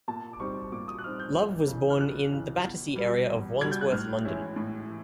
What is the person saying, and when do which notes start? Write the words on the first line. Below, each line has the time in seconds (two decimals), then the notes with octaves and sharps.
Love was born in the Battersea area of Wandsworth, London.
0.08 A#2 A5
0.33 D6
0.40 G3 C4 D#4 C#6
0.72 A#2 D6
0.88 D#6
0.99 F#6
1.03 G3 C4 D#4 F6
1.20 G6
1.35 F2
1.68 C#3 E3
1.90 F6
2.00 F2 F#6
2.32 C#3 E3
2.64 E2
2.96 B2 G3
3.29 E2
3.60 B2 G3 G#6
3.72 G6
3.81 F#6
3.92 A2 F6
4.25 E3 G#3 C#4 E4
4.56 A2
4.88 E3